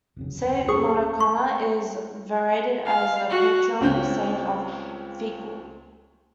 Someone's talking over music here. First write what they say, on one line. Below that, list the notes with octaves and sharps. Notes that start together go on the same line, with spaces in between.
Saint Mochonna is venerated as the patron saint of Feakle.
D1 F2 C#3
D1 A#3 C#4 G#4 A4 C#6
C#6
F5
F#4
C#2 C4 C#4 G6